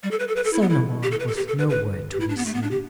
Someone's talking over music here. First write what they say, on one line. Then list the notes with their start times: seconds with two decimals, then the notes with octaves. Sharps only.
Solomon was nowhere to be seen.
0.03 G3
0.11 A4
0.19 B4
0.28 A4
0.36 B4
0.45 A4
0.53 E4
0.62 B3
0.70 E4
1.03 G4
1.12 A4
1.20 B4
1.28 A4
1.37 G4
1.48 A4
1.58 B4
1.70 B4
2.12 G4
2.20 E4
2.29 D4
2.37 B3
2.46 A3
2.54 B3
2.63 D4
2.71 G4